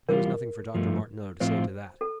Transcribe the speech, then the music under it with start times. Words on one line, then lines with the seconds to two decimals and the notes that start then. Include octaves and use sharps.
There was nothing for Dr. Martineau to say to that.
0.09 E3 G3 D4 F4 A#4
0.75 G2 F3 A3
1.40 A2 F3 C4 F4 C5
2.01 A4